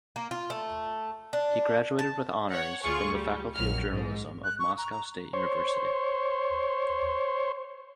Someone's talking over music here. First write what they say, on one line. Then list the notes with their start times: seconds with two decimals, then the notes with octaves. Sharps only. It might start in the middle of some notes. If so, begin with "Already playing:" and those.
He graduated with honors from the Faculty of Journalism of Moscow State University.
0.16 A#3
0.31 F4
0.50 A3
1.33 D4
1.99 A5
2.49 C#5 F#5
2.82 D2 F4 G#4 C#6
3.12 G3
3.55 A#1 F2 F#3 F6
3.89 G#2
4.44 F#6
4.59 C#6
4.77 A#5
4.91 A#5
5.33 C5 C#5